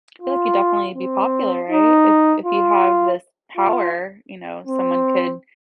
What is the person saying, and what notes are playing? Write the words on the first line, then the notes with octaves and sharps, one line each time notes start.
I feel like you'd definitely be popular, right? If if you have this power, you know, someone could
F4
C4
D#4
F4
F4
C4